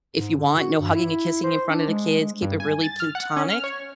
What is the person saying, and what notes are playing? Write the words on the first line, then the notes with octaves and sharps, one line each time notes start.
if you want, no hugging and kissing in front of the kids, keep it really platonic
G#2
D3
F#4
G2
E4
C5
D4
G#3
G#3
G2
G#5
A6
F6
F#5
C#4
F6
C#5